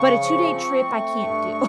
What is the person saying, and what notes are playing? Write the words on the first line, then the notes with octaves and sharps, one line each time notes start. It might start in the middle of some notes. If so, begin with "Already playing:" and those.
but a two-day trip, I can't do.
Already playing: C#3 C#6
F3
C4
A3
G2